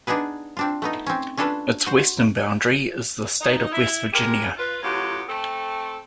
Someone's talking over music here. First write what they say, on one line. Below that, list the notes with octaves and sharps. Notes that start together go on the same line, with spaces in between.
Its western boundary is the State of West Virginia.
B3 D4 D#4 G#4 B4
C4 D4 F4
A3 B3 D#4
C4 C#4
C#4 D4 F4 A4 B4
F#4 C5
D#4
E4
D3 G#3 G4 A#4
F4 B4
F#2 A2 F#3 B3 F4 G4
A3 C4 A4